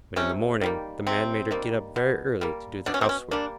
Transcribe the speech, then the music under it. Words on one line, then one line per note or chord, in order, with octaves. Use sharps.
But in the morning the Man made her get up very early to do the housework.
C3 C#4
D#3 G3 A#3
C3 C4
D#3 G3 A#3
B2
G3 A#3
B2 D4
C#4
C4
C#4
G3 A#3 D4